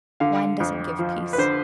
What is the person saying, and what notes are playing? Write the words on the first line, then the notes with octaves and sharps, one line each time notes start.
Wine doesn't give peace.
D3 F5
F2
F3
B4
D3 C5